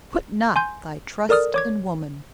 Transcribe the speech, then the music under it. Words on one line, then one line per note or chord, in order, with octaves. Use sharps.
Put not thy trust in woman!
G#5 C6 G6
A4 A#4 D5 D#6 F6
C#5 D6 G#6